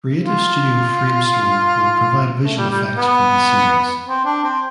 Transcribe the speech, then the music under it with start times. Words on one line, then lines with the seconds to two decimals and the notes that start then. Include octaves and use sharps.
Creative studio Framestore will provide visual effects for the series.
0.24 F4
2.43 A3
2.56 G3
2.70 G3
2.97 B3
4.06 C4
4.25 D4
4.43 C4